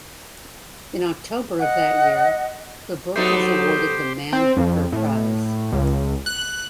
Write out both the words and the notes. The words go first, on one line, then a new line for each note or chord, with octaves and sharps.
In October of that year, the book was awarded the Man Booker Prize.
D#5 F#5
F#3 A3 B3 D#4 G4 C5
C4
F2
A2
C#2
F#6